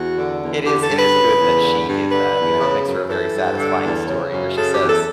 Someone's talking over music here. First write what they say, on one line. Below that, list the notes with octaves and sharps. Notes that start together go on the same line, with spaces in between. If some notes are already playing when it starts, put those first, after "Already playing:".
it is it is good that she did that, you know, it makes for a very satisfying story where she says,
Already playing: E2 F#4
D3
E2
D3 G4
A4
G2
B4
C#3
E2
D3
G2
D3 B4
E2
C#3
F#2
E3 A4
G2
D3
E2
C#3
F#2
C#3 A4
G4
E2
A4